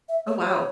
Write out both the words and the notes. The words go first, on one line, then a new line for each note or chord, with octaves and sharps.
Oh, wow.
E5
C#5
C#5